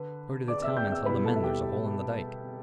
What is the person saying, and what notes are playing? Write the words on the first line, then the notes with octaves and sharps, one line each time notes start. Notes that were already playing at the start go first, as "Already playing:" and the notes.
Go to the town and tell the men there's a hole in the dike.
Already playing: D3 B4
D5 D6
D6
E5 E6
G5 G6
G6
E5 E6
B2 G3 E4 B4 B5
A4 A5
E5
G4 G5